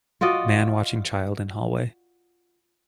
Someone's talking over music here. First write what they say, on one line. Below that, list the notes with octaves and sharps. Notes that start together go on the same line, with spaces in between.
Man watching child in hallway.
F4 F#4 D5 D#5